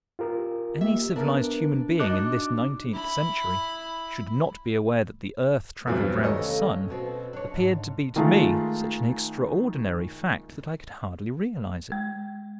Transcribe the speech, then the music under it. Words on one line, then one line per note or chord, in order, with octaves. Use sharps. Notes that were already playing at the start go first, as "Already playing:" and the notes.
That any civilized human being in this nineteenth century should not be aware that the earth travelled round the sun appeared to be to me such an extraordinary fact that I could hardly realize it.
F4 G4 A#4
A#3 G4 E5
B3 D4 A#4
D4 D#4 F#4 D6 F#6
E4 B5
E2 G2 C3 F#3 C4
D#2 A3 C#4 D#4 D#5 E6
B2 C4
D4 C#5
G#2
D#3 G#3 A3 F4 A5
G#3